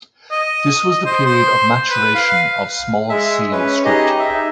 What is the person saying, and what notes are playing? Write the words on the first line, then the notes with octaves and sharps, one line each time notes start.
This was the period of maturation of Small Seal script.
D#5
D#5
C5
C5
B4
F5
G#3 E5
C#4 B4
D#4 G4 G#4 D#5
E5